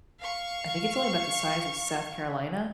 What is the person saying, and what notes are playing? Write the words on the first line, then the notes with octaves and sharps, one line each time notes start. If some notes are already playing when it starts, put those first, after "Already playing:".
I think it's only about the size of South Carolina,
F5 C#6